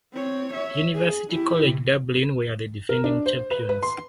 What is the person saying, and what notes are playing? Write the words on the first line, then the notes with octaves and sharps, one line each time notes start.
University College Dublin were the defending champions.
C4 C#5
C#5 E5
G#4
E4 G4
A#4
D4
C5
B4
B4
C6